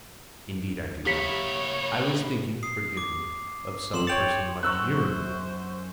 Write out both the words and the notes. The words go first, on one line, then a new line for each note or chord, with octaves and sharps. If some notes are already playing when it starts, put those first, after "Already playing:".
"Indeed I do not; I was thinking--forgive me--of some person much nearer me."
A#3 E4 G4 C#5 B6 C#7
D#6 C7
D6
F2 C6 E7 F#7
C#5 G5 A6 C#7 F7 F#7
F#2 C5 C#6 E6 F#6